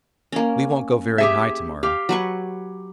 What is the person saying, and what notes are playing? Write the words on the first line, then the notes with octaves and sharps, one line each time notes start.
We won't go very high to-morrow.
A#3 C#4
G4 G#4 E5
G4 F5
F#3 B4 C#6